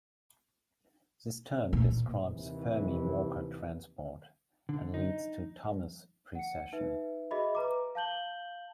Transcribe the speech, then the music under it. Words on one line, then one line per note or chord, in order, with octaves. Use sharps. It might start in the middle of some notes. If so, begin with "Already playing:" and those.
This term describes Fermi-Walker transport and leads to Thomas precession.
A#2
D#2 C3 E3
D3
D#4
F#5 C#7
D#4 B4 E5
F#4 G#4 D#5 E5 B5
B4 A#5 D6
F5 A5 G6 F#7 G7